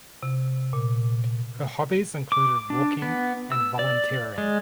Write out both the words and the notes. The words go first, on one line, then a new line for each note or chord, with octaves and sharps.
Her hobbies included walking and volunteering.
C3
A#2
D6
D4
B3
E6
D5
G#3